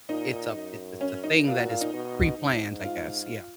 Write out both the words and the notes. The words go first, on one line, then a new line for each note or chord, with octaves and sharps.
it's a it's it's a thing that is pre-planned I guess. Yeah.
A#2 D#4
F#2
C#4
D#4
A#2 F4
F#4
F4
D#4
B2
G#2
F4